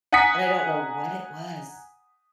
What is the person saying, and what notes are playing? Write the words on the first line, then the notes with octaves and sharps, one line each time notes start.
and I don't know what it was
F#5 G#5 A#5 D#6 B6 C#7